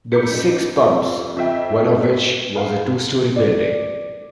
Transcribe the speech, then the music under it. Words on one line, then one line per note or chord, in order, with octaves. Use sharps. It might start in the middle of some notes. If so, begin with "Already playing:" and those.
There were six pubs, one of which was a two-storey building.
B5 D6 E6 G6 B6 C#7
F#2 B3 D#4
F2 C3 F3
F2 D#5 E5 G5
B6
G#4 B4 F5 F#5
D5